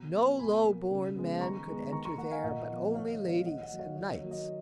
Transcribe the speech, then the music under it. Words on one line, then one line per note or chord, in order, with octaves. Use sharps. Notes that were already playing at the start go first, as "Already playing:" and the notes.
No low-born man could enter there, but only ladies and knights.
Already playing: B2 F#5 A#5
F#3 B3
B2 G#5 B5
A#3
C#3
G#3 B3
D#3 A#5 C#6
G#3 B3
D#3 A#5 C#6
A#5 C#6
A#3 F#5 A#5
F5 G#5
A#2 D#5 F#5
F3 B3
D#3 C#5 F5
D#5
G#3 B3
C#5 F5
D#3 D#5 F#5
D#5 F#5
F#3 A#3
C#5 F5
D#3 D#5
C#5
F#3 A#3
D#5